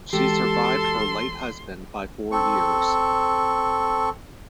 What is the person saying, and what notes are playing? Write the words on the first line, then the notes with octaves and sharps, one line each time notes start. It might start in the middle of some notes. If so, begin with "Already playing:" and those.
She survived her late husband by four years.
E3 G#3 F#4 G4 A4 A5 C6
C4 A4 C#6